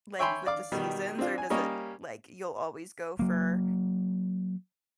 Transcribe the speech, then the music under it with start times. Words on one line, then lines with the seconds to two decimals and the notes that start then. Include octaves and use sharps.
like with the seasons, or does it like you'll always go for
0.19 C#5 E5 G5 G#5 B5 C6
0.46 D5 F5 D6
0.72 B2 D#3 G3
1.19 C4 D4 F4
1.38 G#5
1.50 G3 A#3 C#4 C#5 D#5
3.19 F#3 A#3